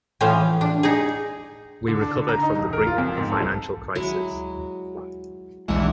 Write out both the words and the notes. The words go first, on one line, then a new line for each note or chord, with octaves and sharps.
We recovered from the brink of a financial crisis.
A2 E3 F3 C#4 C5 F5
D4
D#4 G#4
D3
D4
D3
A#5
D#4
E1
A#4
F4
F2
G#2
A4
F#3 G#3 E4
B1 E2 G#3 D4 F#5